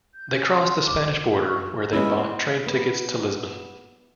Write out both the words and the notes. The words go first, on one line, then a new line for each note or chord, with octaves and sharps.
They crossed the Spanish border, where they bought train tickets to Lisbon.
G6
C#4
C6
D6
C5
C#6
G#3 B3 C#4 E4
C4
B3